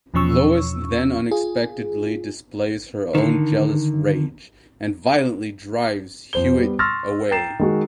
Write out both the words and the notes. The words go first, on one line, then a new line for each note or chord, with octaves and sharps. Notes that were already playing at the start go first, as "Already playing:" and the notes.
Lois then unexpectedly displays her own jealous rage, and violently drives Hewitt away.
E2 B2 F3 C#4 C#6 E6
F4 G#4
D3 D#3
F2 C5 G7
G3 B3
C6 C#6 E6 F6 A6 A#6
G5 A#5 A6 C7 E7
D#3 G#3 F#4